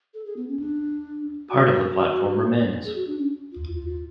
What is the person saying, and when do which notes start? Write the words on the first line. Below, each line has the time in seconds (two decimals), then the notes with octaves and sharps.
Part of the platform remains.
0.14 A4
0.25 G#4
0.37 B3
0.48 C#4
0.59 D4
1.50 F#4
2.85 G#4
2.96 F#4
3.07 D4
3.19 C#4
3.52 F4
3.75 F4
3.89 F4